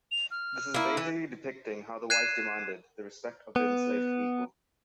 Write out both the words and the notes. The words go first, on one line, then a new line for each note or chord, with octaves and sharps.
This is basically depicting how the whites demanded the respect of the enslaved people.
F7
F6
A#3 E4
E3
F#6 G#6 C7 D#7 E7
B3